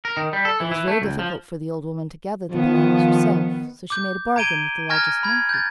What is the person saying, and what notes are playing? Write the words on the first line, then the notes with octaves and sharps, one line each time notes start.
It was very difficult for the old woman to gather the bananas herself, so she made a bargain with the largest monkey.
A#4
D#3
G3
A4
E3
E3
A3
C#2
F3
D#3 F3 B3
D6 G6
A#5 G#6 D7 D#7 G7
G#5 A#5 C#6 F6 G#6 A#6
B5 G#6
G6 A6